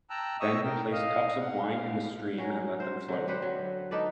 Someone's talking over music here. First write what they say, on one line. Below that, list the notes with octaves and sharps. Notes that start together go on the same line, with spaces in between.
Then he placed cups of wine in the stream, and let them float.
G5 A5 A#5 E6 F#6
D#5 E5 C#6 D#6 E6
A#4 G5
D#5 F5
F#5
F5
F#3 C#4 A#4 C#5
C5
D3 F#3
G4 B4 C5 F#5
F#3
D#4 A4 B4 D5